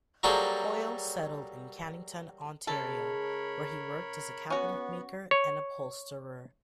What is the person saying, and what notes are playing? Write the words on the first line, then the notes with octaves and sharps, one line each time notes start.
Hoyle settled in Cannington, Ontario, where he worked as a cabinet maker and upholsterer.
F#3 G3 A#3 G#4 A4 C5
C#3 G#3 A4 A#4 C#5 B5
B3 C#4 F#4
C#5